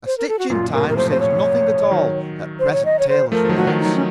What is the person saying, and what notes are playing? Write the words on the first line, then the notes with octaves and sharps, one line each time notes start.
"A stitch in time saves nothing at all at present tailors' rates."
C5
A#4
A4
F#4
F#2 A#2 F4
A#2
A2 C3 A#4
A#4
F3 A3 C5
C5
C#5
D#3 F#3
C5
C#5
D#5
C#5
C5
F3 A3 A#4
F3
D#3 F#3
A3 F#4
D#3 F#3
D#4
D#3 F#3
C#4